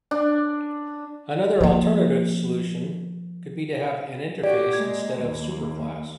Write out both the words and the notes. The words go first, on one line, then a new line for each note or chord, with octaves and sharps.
Another alternative solution could be to have an interface instead of superclass.
D4
F3 A#3
F#4 G4 D5
G#3 A#3 G#6
D#2